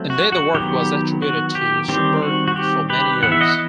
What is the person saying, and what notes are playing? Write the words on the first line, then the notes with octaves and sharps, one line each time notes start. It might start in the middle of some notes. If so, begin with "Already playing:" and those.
Indeed the work was attributed to Schubert for many years.
Already playing: F#3 A3 C4
F#4
F#4
D#3 F#3 B3 G4
F#4
G4
D#3 G3 C4 G4
F#4
F#4
G4
G4 B4
E3 B3 F#5
E5
D#5 F#5